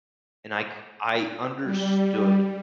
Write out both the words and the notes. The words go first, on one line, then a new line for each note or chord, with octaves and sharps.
and I c I understood
G3